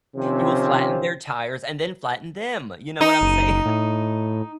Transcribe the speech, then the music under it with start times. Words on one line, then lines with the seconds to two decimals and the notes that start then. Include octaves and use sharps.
You will flatten their tires and then flatten them, you know what I'm saying?
0.16 C3 D#3 F3 C4 C#4
3.01 D#4
3.21 F#1
3.66 A2